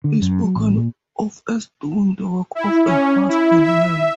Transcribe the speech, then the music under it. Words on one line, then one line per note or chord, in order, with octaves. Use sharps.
He is spoken of as doing the work of a husbandman.
D3
F#2
F#3
A1
A#2
E4
C#4
E4
E5